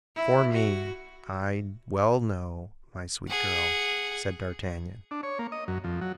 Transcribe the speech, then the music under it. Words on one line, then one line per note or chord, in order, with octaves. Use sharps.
"For me, I well know, my sweet girl," said d'Artagnan.
E4
F#4
G#4 F#5
D4
C#5
A#3
D#5
F#2
F2
F#3